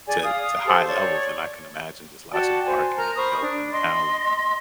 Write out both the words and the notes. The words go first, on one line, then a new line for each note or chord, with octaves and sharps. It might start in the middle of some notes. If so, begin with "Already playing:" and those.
to to high levels, and I can imagine just lots of barking, and yelping, and howling,
G#4 D5 G#5
F5 D#6
G4 A4 C5
C#5 D5
F#4 D5 G5 A5
C5 G#5
A#4 A#5 F6
C5 B5 C#6 D#6
D4
D#5 C6